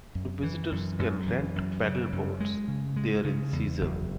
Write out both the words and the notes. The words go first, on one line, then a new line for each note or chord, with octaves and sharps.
Visitors can rent pedal boats there in season.
F#2
E3
F#2
F#2
E3
F#2
C#3
F#2
G#3
C#3
G#3
C#3
E2
F#1